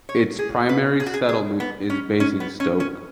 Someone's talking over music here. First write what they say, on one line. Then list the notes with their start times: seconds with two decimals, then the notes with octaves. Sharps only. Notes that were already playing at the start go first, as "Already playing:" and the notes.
Its primary settlement is Basingstoke.
0.09 C#5
0.39 G#4
0.69 B4
1.00 G#4
1.06 F#4
1.14 G#4
1.29 G#4
1.60 B3
1.90 C#4
2.20 C#4
2.40 B3
2.60 C#4
2.80 C#4